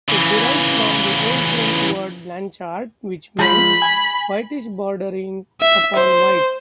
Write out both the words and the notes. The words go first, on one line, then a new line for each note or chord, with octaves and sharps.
It derives from the Old French word "blanchart" which meant "whitish, bordering upon white".
C#3 E3
F3 G#3 B5
G#5
E5
C5